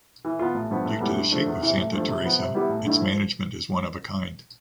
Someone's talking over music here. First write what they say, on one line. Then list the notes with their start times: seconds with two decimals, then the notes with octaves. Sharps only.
Due to the shape of Santa Teresa, its management is one of a kind.
0.25 E3
0.39 B3 F4
0.55 A1
0.70 G2 F3 B3
0.85 A1
1.01 A2 E3 G3 B3
1.16 G2
1.31 F3 A3 D4
1.47 E2
1.62 C3 E3
1.77 A1
1.93 G2 F3 A3
2.08 C3
2.24 F3 B3
2.39 C3
2.54 G3 B3 E4 G4
2.69 A1
2.85 G2 D3 A3 E4
3.00 F3